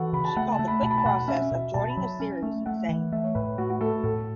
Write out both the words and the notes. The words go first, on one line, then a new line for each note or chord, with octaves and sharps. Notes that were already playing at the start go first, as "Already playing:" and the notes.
She called the quick process of joining the series "insane".
Already playing: E3 F#4 A4 B4 F#5
C#3 B5
A5
A3 F#5
A5
A3
B5
B2 A5
B5
A5
B2 F#5
C#4 E5
B2
B2 A5
B5
F#3
C#4
A3
A3 F#5
E3
A3 E5
C#5
A2 B4
A3 F#4
F#4
A3 A4
A2 A4